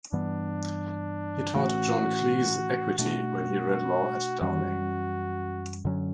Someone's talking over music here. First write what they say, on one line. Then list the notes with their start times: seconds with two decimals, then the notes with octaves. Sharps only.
He taught John Cleese Equity when he read law at Downing.
0.13 G2 E3 G3 B3 D4
1.55 A2 E3 A3 C#4 F#4
2.98 B2 A3 D4 F#4
4.41 F#2 E3 G3 C#4 F#4
5.85 F#2 D3 F#3 C#4